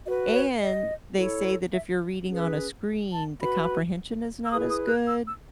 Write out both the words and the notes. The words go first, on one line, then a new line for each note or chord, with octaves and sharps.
and they say, that if you're reading on a screen, the comprehension is not as good,
F#4 B4 D#5
C#5
D#5
E4 A4 C#5
E5
C#4 G#4 B4
A5
F#4 B4 B5
E6
E4 G#4 B4 D#6
D#6
F#6
E6
E6